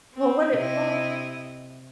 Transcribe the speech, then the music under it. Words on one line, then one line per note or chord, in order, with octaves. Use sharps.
Well, what it well
C4
C3 E4 D#5